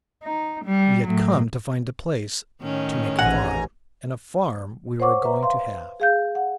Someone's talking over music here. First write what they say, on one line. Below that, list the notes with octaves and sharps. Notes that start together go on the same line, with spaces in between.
We had come to find a place to make a farm, and a farm we were going to have.
D#4
G3
A2 F#3
A2 D#3 C#4
A1 G#2 F#5 G#5 A#5
C5 C#5 F#5 C#6 D6
B4 E5 A#5
F5 C6
G#4 F5 G6
F#5